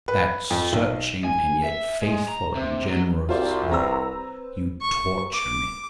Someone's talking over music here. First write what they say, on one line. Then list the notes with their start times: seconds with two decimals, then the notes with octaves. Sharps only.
"With that searching and yet faithful and generous look, you torture me!"
0.08 B4
0.50 F2
0.72 B1
1.24 G#5
1.64 E5
2.02 G#3
2.28 A#5
2.55 C3
2.88 F#3
3.29 C2 F4 F#4 C5 D5 E5
3.72 C4 B4 C5 A#5 E6
4.81 C#6
5.33 D6